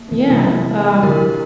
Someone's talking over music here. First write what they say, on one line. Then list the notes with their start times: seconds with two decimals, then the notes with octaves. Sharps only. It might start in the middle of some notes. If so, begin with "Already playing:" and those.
Yeah, um,
Already playing: A#3
0.12 E3
0.30 C3 G3 A#3 E4
1.03 D3 A3 E4 G4 A#4